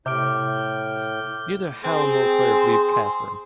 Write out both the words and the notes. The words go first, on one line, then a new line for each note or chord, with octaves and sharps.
Neither Hal nor Claire believe Catherine.
A2 C3 D6 F6 G6 D7
C4 G#4 C6